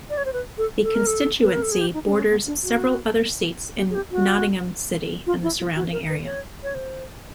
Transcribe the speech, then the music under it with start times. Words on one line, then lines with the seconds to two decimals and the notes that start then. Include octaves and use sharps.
The constituency borders several other seats in Nottingham city and the surrounding area.
0.10 D5
0.18 C#5
0.25 C5
0.33 B4
0.58 A4
0.83 A4
0.95 A#4
1.07 A4
1.43 B4
1.53 A#4
1.62 A4
1.72 G#4
1.81 G4
1.94 D#4
2.06 D4
2.12 C4
2.18 C#4
2.30 B3
2.47 D4
2.63 F#4
3.79 G4
3.90 G#4
3.95 G4
4.11 F#4
5.27 F4
5.43 E4
5.60 F4
5.76 F#4
5.92 A#4
6.09 B4
6.25 C#5
6.63 C#5
6.75 C5